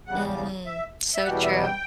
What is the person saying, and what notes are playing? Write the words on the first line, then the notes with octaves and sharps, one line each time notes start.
Mhm, so true.
E2 C#3 G3 F#5
E5
E5
E2 B2 G3 F#5
E5
G5